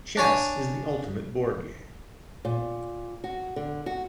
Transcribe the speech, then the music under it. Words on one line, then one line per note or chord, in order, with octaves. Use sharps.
Chess is the ultimate board game.
D4 C#5 G#5
A#2
F#4
D3
F#4